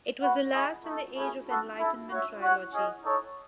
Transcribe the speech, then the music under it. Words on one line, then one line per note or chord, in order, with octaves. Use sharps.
It was the last in the "Age of Enlightenment" trilogy.
F#4 B4 F#5
E4 G#4 D#5
A3 D#4 A4
A3 C#4 E4 G#4
B3 F#4 A4
E4 A4 E5
F#4 C#5 E5
F#4 C#5 F#5
C#4 G#4 D#5
D#4 A4 C#5